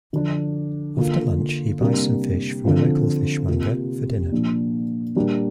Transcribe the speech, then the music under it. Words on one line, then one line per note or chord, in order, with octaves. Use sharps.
After lunch he buys some fish from a local fishmonger for dinner.
D3 F3 D4
D3 A#3 F4
C3 G3 A#3 D4
D3 F3 C4 F4
C3 A#3 F4
A#2 F3 D4
A#2 G3 A#3 D4